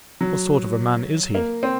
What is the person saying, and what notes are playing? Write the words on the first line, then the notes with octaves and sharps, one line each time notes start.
"What sort of a man is he?"
F#3
A#3
C4